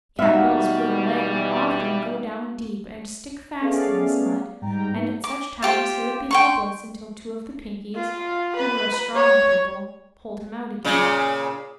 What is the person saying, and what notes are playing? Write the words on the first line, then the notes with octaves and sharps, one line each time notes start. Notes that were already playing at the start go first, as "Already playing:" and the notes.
Cap'n Bill's wooden leg would often go down deep and stick fast in this mud, and at such times he would be helpless until two of the Pinkies--who were a strong people--pulled him out again.
B2 E3 G3 D#4 F#4 E5 F5
A3 B3 C#4 G#4 D5 F5
G#2 G3 G5 A#5
A#3 B3 D#4
D6
F4 G4 C5
G5 C6 C#6
F4
B4
C#5
A#2 C#3